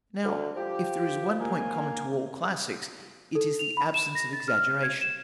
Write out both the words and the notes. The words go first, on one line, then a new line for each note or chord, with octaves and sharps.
Now, if there is one point common to all classics, it is the absence of exaggeration.
D2
F3 G4
A#3 G#5
A4
F7
B5
E7
A#6
A6
F6
G#6
E7